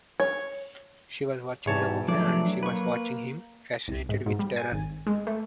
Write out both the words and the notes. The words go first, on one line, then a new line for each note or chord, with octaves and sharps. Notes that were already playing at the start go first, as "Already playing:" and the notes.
She was watching the woman, and she was watching him fascinated with terror.
C#5
E2 G#2 G3 C#5 A5
F3 F#3 A3 D4 D5
A#3 B4 C#6
C2
G#2
G#2
G3
G#5
G#1
G#3
A3